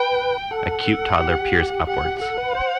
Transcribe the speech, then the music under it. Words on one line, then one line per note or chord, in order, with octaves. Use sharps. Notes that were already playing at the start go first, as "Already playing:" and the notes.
A cute toddler peers upwards.
Already playing: B4 G5
A4 F#5
G4
G4 F#5
G4
A4 F#5
B4
C5